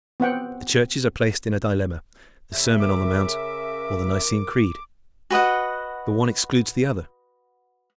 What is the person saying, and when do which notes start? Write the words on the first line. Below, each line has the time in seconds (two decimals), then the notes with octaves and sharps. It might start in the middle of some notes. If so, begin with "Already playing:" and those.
The churches are placed in a dilemma: the Sermon on the Mount or the Nicene Creed--the one excludes the other.
0.20 B3 C4 F#5 G5
2.53 C#3 E5
2.80 A#4 D6
5.30 F#4 B4 D#5 F#5